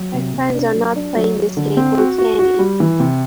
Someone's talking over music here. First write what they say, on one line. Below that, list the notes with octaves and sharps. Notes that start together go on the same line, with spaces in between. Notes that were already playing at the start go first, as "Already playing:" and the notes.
My friends are not playing this game for candy.
Already playing: F#3
C3
C3
D4
F#3
D4
F#3
F#3
D3
C4
F#4
F#4
F#4
G3
E3
C3